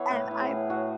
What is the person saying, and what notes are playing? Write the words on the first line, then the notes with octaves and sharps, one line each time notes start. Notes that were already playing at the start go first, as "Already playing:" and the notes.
And I'm
Already playing: E3 B3 C#5
A2 B4
A2
G#4
A2
A2 F#4